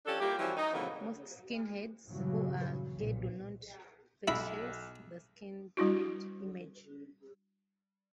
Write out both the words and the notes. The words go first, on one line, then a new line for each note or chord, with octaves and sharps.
Most skinheads who are gay do not fetishize the skinhead image.
F3 C#4 D4 G4 A4
G3 A#3 E4 F4 G4
E3 F3 G3 C#4 E4 F#4
D#4
C#3 E3 F#3 A3 A#3 C4
G2 A#2 C#3 E3 F#3
B1 A#2
B1 E4 B5
G3 D4 E4 F#4